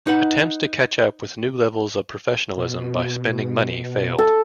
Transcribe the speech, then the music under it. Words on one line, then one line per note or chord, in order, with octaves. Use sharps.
Attempts to catch up with new levels of professionalism by spending money failed.
D#4 B4 F#5
B2
A4